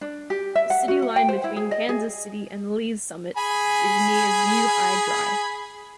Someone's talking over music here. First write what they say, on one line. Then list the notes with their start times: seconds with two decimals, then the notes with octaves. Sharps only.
The city line between Kansas City and Lee's Summit is near View High Drive.
0.01 D4
0.30 G4
0.56 E5
0.70 F#5
0.88 F#4
1.02 F#5
1.16 G5
1.28 C5
1.44 E4
1.56 G#4
1.71 D#5
1.89 G#4
3.37 G#4 G#5 B5